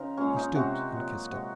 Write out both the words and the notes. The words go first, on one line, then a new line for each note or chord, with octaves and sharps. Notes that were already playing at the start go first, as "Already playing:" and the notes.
He stooped and kissed it.
Already playing: C#3 F3 D#4 A#4
A#2 G#3 C#4
D#4
C3 F3 G#3 F#4
A#2 F#3
C3 F3 G#3 F#4